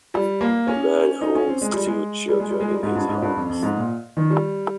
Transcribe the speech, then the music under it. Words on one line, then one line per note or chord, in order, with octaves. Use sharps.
A man holds two children in his arms.
G3
A#3
C#4
D#4
C#4
C4
G#3
G3
G#3
G3
G#3
G3
G#3
G3
G#2
G2
G#2
G2
F2
F2
G#2
A#2
D#3
G3